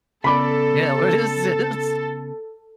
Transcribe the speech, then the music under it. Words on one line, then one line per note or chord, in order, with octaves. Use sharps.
yeah, what is this?
C#3 B3 A4 D5 B5 D6